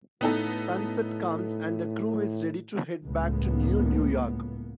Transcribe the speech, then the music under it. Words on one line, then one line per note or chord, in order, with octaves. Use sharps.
Sunset comes, and the crew is ready to head back to New New York.
A2 B3 D#4 A4
C#2 A2 A#3 B3